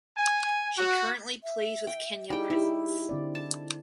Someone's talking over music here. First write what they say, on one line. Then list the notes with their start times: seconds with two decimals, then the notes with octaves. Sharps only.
She currently plays with Kenya Prisons.
0.17 G#5
0.78 F#4
1.43 E5
1.87 G5
2.30 G3 D#4 E4 G4 G#4 G5
2.50 D#4 E4 G4
3.09 D3 C4 D5
3.35 E4 A5